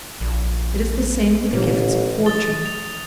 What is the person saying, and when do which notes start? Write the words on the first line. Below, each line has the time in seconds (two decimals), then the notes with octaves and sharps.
It is the same with the gifts of fortune.
0.21 A#1
1.53 A1 A#2
2.26 D#6 A6 G7
2.66 F7